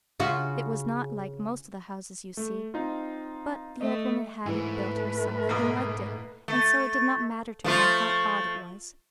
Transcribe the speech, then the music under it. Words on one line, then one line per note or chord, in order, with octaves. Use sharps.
It was not like most of the houses you see, but the old woman had it built herself, and liked it, and so it did not matter to her how odd it was.
C#3 F4 F#4
A3
C4 D#4 F4
A3 D#5
G#2 E3 A3 B4
B2 A#3
A3
F3 A3 F4